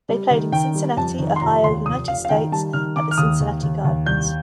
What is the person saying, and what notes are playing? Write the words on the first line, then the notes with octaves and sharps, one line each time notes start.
They played in Cincinnati, Ohio, United States, at the Cincinnati Gardens.
G3
D#3
D#3 G5
G3
F2 A5
D#3
C6
F1 A#5
D#2 C6
F1 D#6
F1 F5
F5
D#3 G5
G3 A5
D#3 F6
D#3 D6
F6
D#2 D#6
D#2
D#2
D#2
C2 G6